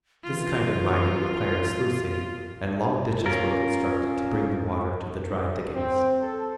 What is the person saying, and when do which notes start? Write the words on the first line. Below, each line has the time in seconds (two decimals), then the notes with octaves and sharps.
This kind of mining required sluicing, and long ditches were constructed to bring the water to the dry diggings.
0.24 E3 F4
3.26 C#4 F4 A#4
5.75 C4
6.21 A4